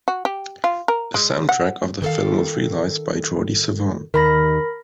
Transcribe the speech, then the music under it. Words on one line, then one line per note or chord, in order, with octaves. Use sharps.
The soundtrack of the film was realized by Jordi Savall.
F#4
G4
F4
A#4
G#3
F#5
D#3 A4 F5
D#2 D#3 A#4 B5 A#6